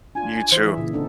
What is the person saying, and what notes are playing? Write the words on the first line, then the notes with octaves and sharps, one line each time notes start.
You too.
D4 F4 G#5
E3 C5
E3 G#4 E5
A#2 C#3
D3 C4 D#4 A4